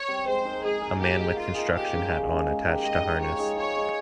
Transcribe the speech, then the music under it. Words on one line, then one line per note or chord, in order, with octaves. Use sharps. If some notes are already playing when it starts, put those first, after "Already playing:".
A man with construction hat on attached to harness.
Already playing: C#5
G3 C4
G#3 C5
D#4 A#4
G#3 G#4
D#4 A#4
A#3 G4
D#4 G#4
A#3 F4
D#4 G#4
F3 G4
G#3 C#4
F3
G#3 C#4
G#3
D#4 G4 A#4
G#3 D#5
D#4 G4 A#4
F3 C#5
G#3 D#4
F3 C#5
G#3 D#4